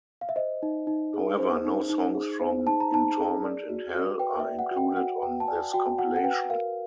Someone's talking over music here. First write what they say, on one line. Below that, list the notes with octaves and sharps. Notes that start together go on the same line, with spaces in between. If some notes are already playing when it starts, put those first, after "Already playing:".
However, no songs from "In Torment in Hell" are included on this compilation.
F5
E5
C5 D#5
D#4
D#4
G#4
C5
D#4
D#4
G#4
C5
D#4 A5
A#5
D#4 A5
G#4
D5
F#4
F#4
B4 G5
E5
D5
F#5
F#4
G5
F#4 F#5
B4 G5
A5
D5 G#5
F#4 G5
F#4 F#5
F#5
B4 G5
A#4 F5